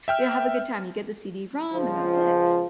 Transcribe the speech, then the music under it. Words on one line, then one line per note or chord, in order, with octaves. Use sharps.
Yeah, have a good time, you get the CD-ROM and that's it.
E5 G5 F6
C#2 F3